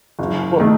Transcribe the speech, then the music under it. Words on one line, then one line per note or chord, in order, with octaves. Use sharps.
Mm, well
F#1
D#3 A3